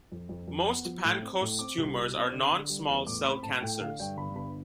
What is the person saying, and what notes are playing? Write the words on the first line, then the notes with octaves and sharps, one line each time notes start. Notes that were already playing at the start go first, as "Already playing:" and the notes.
Most Pancoast tumors are non-small cell cancers.
F2
F2
F2
B3
F3
A2
C4
A2
C4 D6
C2
B2
C4
D3
D3
G3
E2
A2 D6
C4 B5
A2 A5
A2 G5
D3 F5
G2 G5
G1 B5
G1 B5